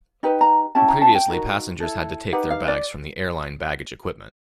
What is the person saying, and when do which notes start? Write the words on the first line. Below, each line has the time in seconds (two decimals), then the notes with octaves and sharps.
Previously passengers had to take their bags from the airline baggage equipment.
0.23 D#4 G4 B4
0.41 A#5
0.75 C#4 E4 G4 A5
0.88 A#5
1.02 A5
1.15 G5
1.28 D#4 F#4 A#4
1.80 E4 A4
2.33 D#4 G4 B4 F#5
2.51 F5
2.68 D5